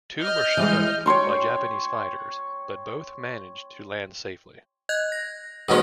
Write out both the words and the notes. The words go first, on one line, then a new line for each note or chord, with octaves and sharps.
Two were shot up by Japanese fighters, but both managed to land safely.
D#5 F6 G6
E3 G3 G#3
C#5 G5 C6 C#6
D#5 F#6 G#6
A#6
G#2 B2 E3 G#3 A#3 C#4